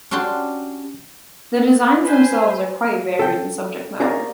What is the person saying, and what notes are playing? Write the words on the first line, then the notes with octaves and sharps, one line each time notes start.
The designs themselves are quite varied in subject matter.
C#4 D4 F#4 G4 C6
B4 C5 G#5
A4 G5
G4 G#4 A#4 C#5 D5 F5